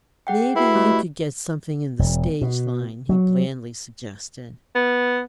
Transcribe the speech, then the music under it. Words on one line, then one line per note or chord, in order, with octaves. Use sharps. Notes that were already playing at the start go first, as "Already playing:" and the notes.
"Maybe you could get something in the stage line?" he blandly suggested.
G#4 F#5 G5
E4 F#4 B4
A3 G4
E1
B2
F#3
B3